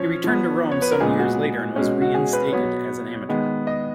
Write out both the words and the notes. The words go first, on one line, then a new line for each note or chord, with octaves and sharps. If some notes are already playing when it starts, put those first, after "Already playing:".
He returned to Rome some years later and was reinstated as an amateur.
Already playing: F3 C#4 C#5
F3 B3
C#5
B4
A#4
A#2 G#3 B3 G#4
F#4
B2 G#3 C#4
F#4
G#4
B4
B2 F#3 B3 C#5
D#3 G#3 B3
D#5